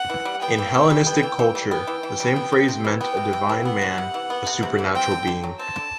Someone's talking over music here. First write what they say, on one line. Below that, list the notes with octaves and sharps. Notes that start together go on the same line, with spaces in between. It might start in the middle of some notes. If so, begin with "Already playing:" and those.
In Hellenistic culture the same phrase meant a "divine man", a supernatural being.
Already playing: F#5
E3
G3
B3 G5
E3
E3
G3
B3
E3
E3
G3
B3 G5
E3
E3
G3
B3
C3
C3
E3
B3 G5
C3
C3
E3
B3 F#5
C3
C3
E3
B3
C3
C3
E3
C4 G5
D3
D3
F#3
C4 A5
D3